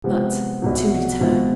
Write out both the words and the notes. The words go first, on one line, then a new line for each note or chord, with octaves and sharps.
But to return.
C3 F3 G#3 B3
C2 B2 F#3
B2 G#3 C4 F4